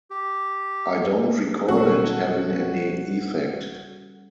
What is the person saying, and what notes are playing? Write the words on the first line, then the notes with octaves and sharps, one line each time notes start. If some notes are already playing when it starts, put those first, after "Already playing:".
I don't recall it having any effect.
G4
D#1 B1 G3 C#4 F#4 A4 C#6